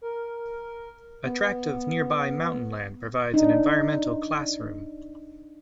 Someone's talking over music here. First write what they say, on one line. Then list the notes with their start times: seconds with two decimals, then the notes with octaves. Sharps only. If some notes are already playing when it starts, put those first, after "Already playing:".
A tract of nearby mountain land provides an environmental "classroom".
0.02 A#4
1.23 B3
3.34 D4 D#4